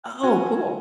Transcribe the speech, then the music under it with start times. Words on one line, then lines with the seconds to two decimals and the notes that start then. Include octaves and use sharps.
Oh, cool.
0.22 C#4 F#4 G#5